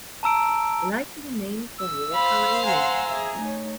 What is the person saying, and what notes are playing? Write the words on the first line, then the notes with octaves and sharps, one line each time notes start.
Likely named for Walter Raleigh.
A5 A#5 E6 D7
E6
C5 F5 B5
F#5 G#5 A#5 C6 E6
G#4 E5
A3 D#4 C#5